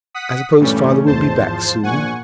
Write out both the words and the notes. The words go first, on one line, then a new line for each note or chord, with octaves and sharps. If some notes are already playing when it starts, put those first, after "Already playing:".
'I suppose father will be back soon?'
F#5 D#6 B6
G2 A#2 E3 G3 A3 C#4
G#1 E2 G#2 C5 A5
F3
A#1 A#2 F#5 G#5 C#6